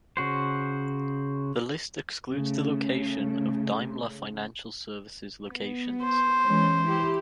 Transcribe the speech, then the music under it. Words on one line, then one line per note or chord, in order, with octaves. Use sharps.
The list excludes the location of Daimler Financial Services locations.
C#3 F#4 C5
C#3 A3
B3
C5
E3 G#3 C#4
E4 G4